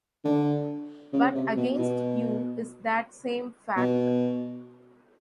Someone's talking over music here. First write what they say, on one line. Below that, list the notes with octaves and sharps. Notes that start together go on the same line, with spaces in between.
But against you is that same fact.
D3
C#3
C3
B2
B2
B2